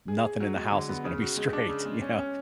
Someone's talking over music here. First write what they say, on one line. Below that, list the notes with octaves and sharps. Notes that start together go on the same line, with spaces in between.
nothing in the house is gonna be straight, you know?
G#4
G#4
F#3
G#3
D3
B3
C#3
F#4
G#3
D4
C#3
G#3
C#4
C#4